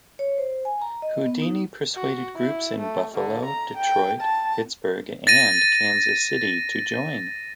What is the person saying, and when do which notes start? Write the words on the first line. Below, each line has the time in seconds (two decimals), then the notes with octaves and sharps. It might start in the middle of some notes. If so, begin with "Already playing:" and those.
Houdini persuaded groups in Buffalo, Detroit, Pittsburgh, and Kansas City to join.
0.19 C#5
0.38 C5
0.65 G#5
0.82 A#5
1.02 D#5
1.26 B3
1.42 D#4
1.95 F#4
2.36 E4
2.80 A3
3.15 D3
3.46 A#5
3.78 G5
4.21 A5
5.27 A6 A#6 D#7